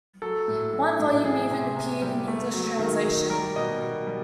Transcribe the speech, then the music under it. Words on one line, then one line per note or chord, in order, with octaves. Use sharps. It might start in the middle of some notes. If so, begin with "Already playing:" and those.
One volume even appeared in English translation.
F#3 A4
A2
F#3
A2
E3 G#4
C3
C3
G3
A3
F#3
D#3
D#3
G3 A#4
B2 D#5
B2
G3